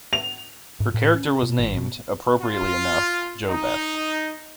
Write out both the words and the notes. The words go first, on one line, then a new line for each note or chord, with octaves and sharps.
Her character was named, appropriately enough, JoBeth.
F7
G#2
A2
C#4
B2
G#1
B2
F4
D#4